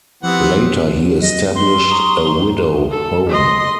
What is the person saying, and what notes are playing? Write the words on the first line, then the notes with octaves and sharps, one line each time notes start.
Later he established a Widow Home.
E3 F3 B3 C4 G4 F#5
F#3 D#5
C6
A#5 C#6 D#6
D#4
A4
D#5 C6